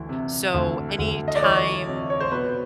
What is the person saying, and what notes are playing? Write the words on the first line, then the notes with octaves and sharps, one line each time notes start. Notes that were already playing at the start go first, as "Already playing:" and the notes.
So anytime
Already playing: D2 E3
C3
D2
D2
D#5
D5
E3 C#5
C3
C#5
C5
B2 B4